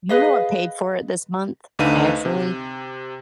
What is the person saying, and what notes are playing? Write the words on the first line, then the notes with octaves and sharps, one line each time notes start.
You know, I paid for it this month, actually.
G#4 B4 D#5 F5
D2 D3 D#4 B4 F5 D#7
C3